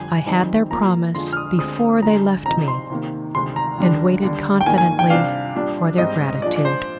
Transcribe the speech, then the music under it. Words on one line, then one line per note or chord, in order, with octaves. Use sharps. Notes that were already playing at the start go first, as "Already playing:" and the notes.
I had their promise before they left me, and waited confidently for their gratitude.
Already playing: F2 D3 G3 D4 G#5
F2 D#3 G3 C4 D#4
A#2 F3 A#3 A#5
F2 D3 F3 G#3 C6
F6
D#6
D2 D3 G#3 C4 D#6
D2 D3 G#3 A#5
C3 F3 C4 D#4 A#5
C6
C3 D#3 A#3
D2 C3 D#3 G#3 C6
A#5
D#2 D3 G3 D4
D#2 D3 G3
G5
G2 D#3 A#3 G#5
G#5
G5
C3 G3 D4 F5
C2 A#2 G3 D4
G#2 G3 C4 D#4 D#5
A#2 F3 G#3 D4 D5
D5
C5